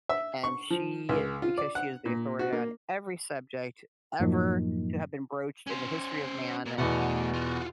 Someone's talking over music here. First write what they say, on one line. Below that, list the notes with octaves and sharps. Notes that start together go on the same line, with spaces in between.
and she- because she is the authority on every subject ever to have been broached in the history of man, eh,
E5
C#6
F3
C#2
F4
D5
F#5
A#2
F#4
A#3
F#2 A2 F3 F#3 A#3 D#4
C#4 C5
A#2
E2 B2 A3 F#5
F4 F#4